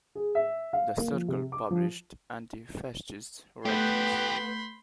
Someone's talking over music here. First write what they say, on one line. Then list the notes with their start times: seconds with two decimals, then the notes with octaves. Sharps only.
The circle published anti-fascist writings.
0.15 G#4
0.35 E5
0.73 F5
0.97 A#3
1.12 F3
1.28 C3
1.52 D6
1.71 F3
3.65 A2 A3 B3 G4 B4 B5 C6 G6